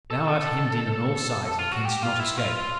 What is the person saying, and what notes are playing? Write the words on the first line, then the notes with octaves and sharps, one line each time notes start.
"Thou art hemmed in on all sides, and canst not escape!"
A4
A4
F4
F#4
G4
F4
E4
F4